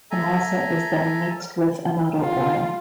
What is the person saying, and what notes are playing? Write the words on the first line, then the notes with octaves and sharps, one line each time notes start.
The masa is then mixed with annatto oil.
A4 E5 G#5 A#5
F4